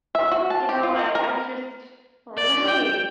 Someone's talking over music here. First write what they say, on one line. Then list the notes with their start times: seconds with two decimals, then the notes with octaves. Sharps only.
You know, I I just Right.
0.15 E5
0.32 F#4
0.50 A5
0.69 G4
0.83 F4
0.99 D#5
1.15 A#4
2.37 D5
2.66 G5